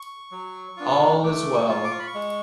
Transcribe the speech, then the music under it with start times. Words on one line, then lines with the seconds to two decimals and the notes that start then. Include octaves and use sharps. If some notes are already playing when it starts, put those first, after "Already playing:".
All is well.
Already playing: C#6
0.32 F#3
0.77 B3 D4 F4
1.23 A3 D6
1.53 C#6
1.69 F4
1.84 D6
1.91 C#6
1.99 B5
2.07 C#6
2.14 G#3